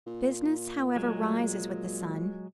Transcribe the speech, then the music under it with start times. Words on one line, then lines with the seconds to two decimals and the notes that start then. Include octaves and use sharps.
Business, however, rises with the sun.
0.07 A#2
0.96 F#3 G#3